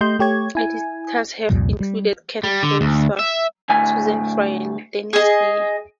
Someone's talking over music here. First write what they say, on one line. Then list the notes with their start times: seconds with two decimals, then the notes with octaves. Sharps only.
Editors have included Kent Brewster, Susan Fry, and Denise Lee.
0.01 A3 G4 D#5 C6 G6
0.19 A3 G4 C#5 G#6
0.55 E4 G#5
1.50 C2 F2 A#2 G3
1.80 G3
2.44 G3
2.63 D3
2.81 D2
3.19 E5
3.69 D2 A2 G#5
5.13 G#4 D#5